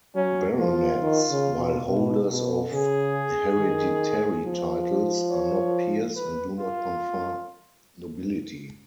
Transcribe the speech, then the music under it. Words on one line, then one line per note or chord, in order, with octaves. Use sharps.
Baronets, while holders of hereditary titles, are not peers and do not confer nobility.
F#3 C#4
F3 F4
D#3
C#3
B2
B2
B2
C#3 G#4
D#3
F3
C#5
B4
F4